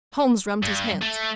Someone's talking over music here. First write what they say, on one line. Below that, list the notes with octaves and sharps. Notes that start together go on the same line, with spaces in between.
Holmes rubbed his hands.
G2
A3